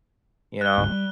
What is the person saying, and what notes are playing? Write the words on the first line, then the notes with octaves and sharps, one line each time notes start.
you know?
F#6 G7
F#1 D2 G#2
G3